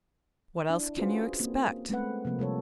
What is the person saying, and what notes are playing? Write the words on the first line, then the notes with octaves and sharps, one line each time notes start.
'What else can you expect?'
D4 E4
C#4 F4 F#4 G#4 B4 C5
A#3 C4
G#3 A3 C4 B4 F#5
C3 F3 A#3 C4
C3 G3 A4 C#5